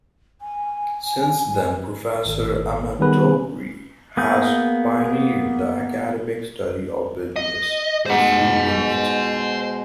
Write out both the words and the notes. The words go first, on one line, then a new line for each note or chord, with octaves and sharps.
Since then, Professor Amatori has pioneered the academic study of business history in Italy.
G#5
G#1 A4
D#3 G3 B3 G#4 B4
A#3 B3 G#4 G6
D#5
B2 G#3 C5 F#5